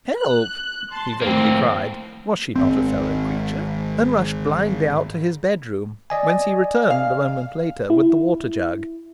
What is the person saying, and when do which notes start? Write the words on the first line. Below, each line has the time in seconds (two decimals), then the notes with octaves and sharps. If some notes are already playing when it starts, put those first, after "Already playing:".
"Help!" he vaguely cried--was she not a fellow-creature?--and rushed blindly out to his bedroom, whence he returned, a moment later, with the water-jug.
0.19 F#6
0.91 A5 C6
1.22 D#2 A2 F3 A#3 C4
2.56 G#1 C4
6.10 D5 D#5 G#5
6.90 F5
7.90 E4